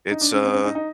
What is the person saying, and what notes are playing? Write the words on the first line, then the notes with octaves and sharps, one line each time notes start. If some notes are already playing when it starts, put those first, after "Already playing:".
it's a
D#4
D4
C#4
C4
C#4
D#4
D#4